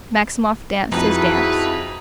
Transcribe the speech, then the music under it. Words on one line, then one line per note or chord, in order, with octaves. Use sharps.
Maximov danced his dance.
F2 D#4 E4 F#4 G#4 B4